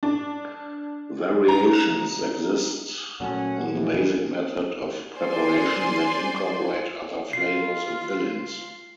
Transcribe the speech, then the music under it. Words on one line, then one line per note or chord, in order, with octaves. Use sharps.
Variations exist on the basic method of preparation that incorporate other flavors and fillings.
D4
A#5
A#2 F#3 A3 C#4 F#5
F#2 B2 E3 F3
C5 D5 G#5 C6
F4 C7